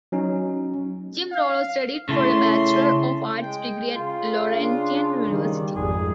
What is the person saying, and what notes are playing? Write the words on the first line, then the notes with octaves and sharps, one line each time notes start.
Jim Rollo studied for a Bachelor of Arts degree at Laurentian University.
F#3 C#4 D#4
F5
C#3 A3 C#4 E4 C6
G#3 G5
C#3 F4
D4
D#3 G3
G#1 F2 G#4